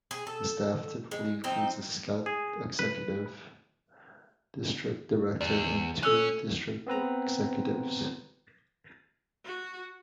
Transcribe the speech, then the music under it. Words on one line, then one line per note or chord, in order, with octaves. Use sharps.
The Staff typically includes a Scout Executive, District Director and two District Executives.
G#4
A4
G#3
F3 C4 D#4
G#4
B4
E2 D5
C#4 A4 E6 F#6
B3 C4 B4 A#5
F#4